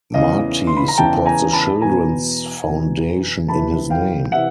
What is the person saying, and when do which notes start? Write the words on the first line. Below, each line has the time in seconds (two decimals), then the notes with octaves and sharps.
Marte supports a children's foundation in his name.
0.14 E2 C#3 E3 D#5 F5
0.67 C6
0.77 B5
0.88 A#5
0.98 E2 C#3 E3 G5 A5
1.26 G#5 A#5
1.53 A5 B5
1.81 E2 B2 G#5 A#5
2.65 E2 B2
3.48 F2 C3 E3 A5 B5
3.90 F5 G5
4.32 C3 E3 E5 F#5